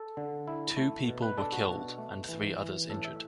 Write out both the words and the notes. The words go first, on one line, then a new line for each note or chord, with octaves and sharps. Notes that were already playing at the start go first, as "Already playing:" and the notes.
Two people were killed and three others injured.
Already playing: A4
D3
E4
A3
B2
B4
D4 A4
F#4
B2
A3
E3
E3
A2 A4
E5